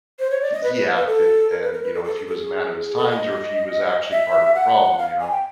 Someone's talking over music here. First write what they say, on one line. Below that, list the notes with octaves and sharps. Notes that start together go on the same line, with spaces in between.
he he acted, and, you know, if he was a man of his times, or if he was actually part of the problem, you know?
C5
C#5
D5
D#5
B4
B4
B4
A4
A#4
B4
A#4
B4
A4
A4
A4
A4
G#4
G#4
A4
D#5
D#5
E5
F#5
F5
G#5
G5